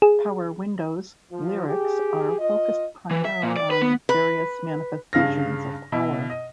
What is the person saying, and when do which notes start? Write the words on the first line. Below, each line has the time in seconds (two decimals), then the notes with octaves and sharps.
"Power Windows" lyrics are focused primarily on various manifestations of power.
0.02 G#4
1.31 F3 F4
1.67 G4 G#4
2.39 F4 D#5
3.11 E3
3.25 E5
3.43 A#2
3.57 D5
3.71 B4
3.82 B3
4.09 B4
5.13 G2 C#3 F5 F6 A#6
5.92 B2 E4
6.30 D#5